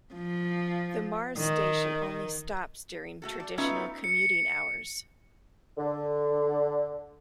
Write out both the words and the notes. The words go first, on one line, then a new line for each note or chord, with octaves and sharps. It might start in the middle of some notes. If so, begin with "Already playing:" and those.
The Mars station only stops during traditional commuting hours.
F3
D#3
A3 F#4 A4
D5
A3 B3 C#4 D#4 F4 E5
C#7
D3